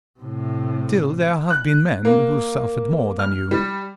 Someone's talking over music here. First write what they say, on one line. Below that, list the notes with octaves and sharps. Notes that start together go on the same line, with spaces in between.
"Still, there have been men who suffered more than you."
A2 C3
F#6
A#3
F6
G3